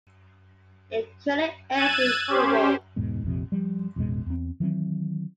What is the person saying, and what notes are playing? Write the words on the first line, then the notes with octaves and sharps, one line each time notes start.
It currently airs in Qubo.
E6 F#6 G#6 A6 D#7
C#4 G4 C5
E1 E2 G#2 B2
A#1 F2 C3
F3 G3
A1 F2 B2 G#3
E2 C4
D#3 E3 F#3 C4